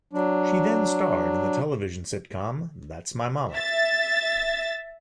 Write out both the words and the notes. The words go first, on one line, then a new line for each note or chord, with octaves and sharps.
She then starred in the television sitcom "That's My Mama".
F#3 D4
E5 A6